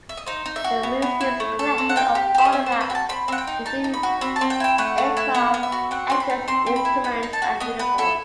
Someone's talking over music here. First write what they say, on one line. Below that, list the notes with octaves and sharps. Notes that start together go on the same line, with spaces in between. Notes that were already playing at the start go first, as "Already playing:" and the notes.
The museum's collection of artefacts includes aircraft, engines, instruments and uniforms.
E5
D#5
D#4 C5
D#4
E5
F#4
B3
B3
E4
A3
A4
C4
F#5
D#4 G5
G4
G4 C5
D#5
C4 E5
C5
C4
B4
F#4 G5
A5
C4 B5
C4 F#5
G5
D#4
D#4 A5
D#4
B5
F#4
C4 B5
A5
C4
G5
E4 G5
A3 F#5
A3
E4
B3 F#5
B3
E5
F#4
C4 F#5
C4 C6
B5
D#4
C4 C6
C4
B5
E4
D#4 B5
D#4
A5
F#4
B3 D#5
B3 B4
E4 A4